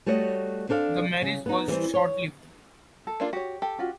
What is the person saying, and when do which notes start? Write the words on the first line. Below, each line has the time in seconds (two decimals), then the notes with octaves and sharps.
The marriage was short-lived.
0.06 G3 A3 F#4 C#5 D#5
0.69 C4 D4 A4 F5
1.22 C#3
1.46 B3 D#4
1.68 D3 E3 G3 C4
1.94 C#5
3.07 A4
3.20 A#3 D4 F4
3.33 F#4 G4 C#5
3.62 G4 A4
3.78 C#4 F4 F#4